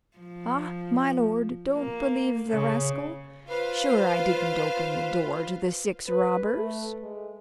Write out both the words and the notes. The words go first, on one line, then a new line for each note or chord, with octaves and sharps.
"Ah, my lord, don't believe the rascal; sure I didn't open the door to the six robbers."
F3
A#3
C#3
F4 B4 C5 F5
B4
A3
G#3